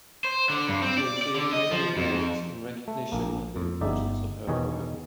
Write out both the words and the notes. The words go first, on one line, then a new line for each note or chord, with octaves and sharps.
She received many awards in recognition of the importance of her work.
C5
D3
G2
C4
D5
D5
D3
D#5
F3
F2
A3
A#1 A#3
F2
G1 D#4 D5 E5
E2 B2 D#3 G#4 C#5